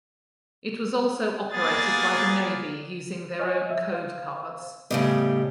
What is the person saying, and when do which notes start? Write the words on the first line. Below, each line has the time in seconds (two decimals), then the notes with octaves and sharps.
It was also operated by the Navy using their own code cards.
1.53 A#3 B3 G#4 A6
3.40 C#5 D#5 G#5
3.71 E5
3.93 C5 F5
4.91 A2 C#3 G3 B3 D#5